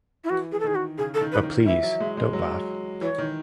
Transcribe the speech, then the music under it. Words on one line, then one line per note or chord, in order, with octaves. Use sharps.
But please don't laugh!
E4
E3 F#4
E3 G#4
A4
D#3 G#4
F#4
C#3 G#4
A4
D#3
B4
D#3
E3 E5
F#3
G#3
G#3
F#3
E3 C#5
D#3